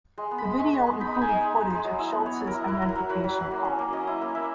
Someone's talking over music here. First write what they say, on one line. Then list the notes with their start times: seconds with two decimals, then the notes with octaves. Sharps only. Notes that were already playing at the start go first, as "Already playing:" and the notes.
The video included footage of Schulz's identification card.
0.18 G#3
0.31 B3
0.38 B5
0.45 G#3
0.59 G#3 C#6
0.73 G#3
0.87 B3
1.00 D#4 B5
1.15 D#4
1.21 G#5
1.28 D#4
1.43 G#3
1.56 G#3
1.70 G#3
1.84 F#3
1.99 E4
2.12 B3
2.26 B3 C#5
2.40 F#3
2.47 A#4
2.54 E4
2.67 E4 B4
2.82 F#3
2.89 A#4
2.96 F#3
3.10 F#3 B4
3.24 F#3
3.37 F#3
3.51 A#3
3.65 C#4
3.79 A#3
3.93 C#4 D#5
4.07 E4
4.21 A#3
4.35 A#3 E5